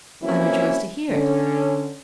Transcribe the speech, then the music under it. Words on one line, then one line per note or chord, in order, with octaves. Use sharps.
'I rejoice to hear it.
E3 F#3 A#3 C4 C#4 E4
D3 C#4